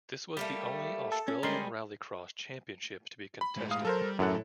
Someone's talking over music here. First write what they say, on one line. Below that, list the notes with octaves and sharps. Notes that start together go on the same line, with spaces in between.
This was the only Australian Rallycross Championship to be contested.
G3 A3 A#3 G4
A4
C#4
G3 G#3 D#4 A#4 C6
B5
A2 G#3
F5 D#6
F#3 A4 A#4 C5
G3
F#2 A2 F#3 E4 A4 F#5